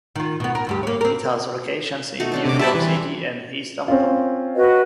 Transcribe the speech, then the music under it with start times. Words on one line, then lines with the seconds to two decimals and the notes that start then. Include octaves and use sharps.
It has locations in New York city and East Hampton.
0.16 D#3 F4
0.40 B2 B3
0.55 A#4
0.67 D2 G2 G4
0.83 A#3 C#5
1.01 C4 A#4
2.20 A3 D#4 F#4
2.32 B2 D4 C#5
2.46 C3 D6
2.59 G3 B4 C5 E5 A5 B5
2.75 E3
3.88 C4 C#4 F4
4.55 F#4 B4 D#5